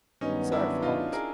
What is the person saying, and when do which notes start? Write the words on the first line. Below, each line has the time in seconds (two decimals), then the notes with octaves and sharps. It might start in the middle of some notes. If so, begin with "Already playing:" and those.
Serve hot.
0.21 G2 D#3 F#3 B3 C#4 D#4
0.52 D4 E4
0.82 D#4 F4
1.13 G#4 A#4